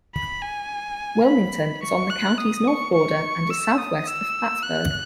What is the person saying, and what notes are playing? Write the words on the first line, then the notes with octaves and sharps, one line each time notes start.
Wilmington is on the county's north border and is southwest of Plattsburgh.
B5
G#5
B5
C#6
F#6
D#6
C#6
C#6
E6
D#6
E6
F#6